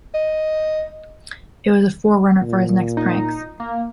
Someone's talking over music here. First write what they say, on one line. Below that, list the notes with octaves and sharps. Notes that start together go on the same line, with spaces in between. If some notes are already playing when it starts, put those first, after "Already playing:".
It was a forerunner for his next pranks.
D#5
A#2
D#4
A#3